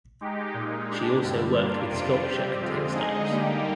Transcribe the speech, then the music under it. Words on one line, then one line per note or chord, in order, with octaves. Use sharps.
She also worked with sculpture and textiles.
G#3 D#4 G4
A#2 G#3 D#4
G#3 D4 G4
G2 D3 G3
G3 A#3 D4 F4
F2 C3 G3 D4 F4
G3 C4 G4
F2 D3 G#3 C4 F4
D3 G#3 D#4 G#4 D#5
D3 G3 A#3 D#4 G4